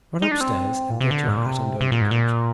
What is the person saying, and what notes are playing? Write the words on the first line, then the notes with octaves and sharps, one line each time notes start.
"Run upstairs and get your hat and overcoat."
D#4
D4
C4
A#2
C3
D3
G#2
A#2
C3
C3
A#2
G#2
A#2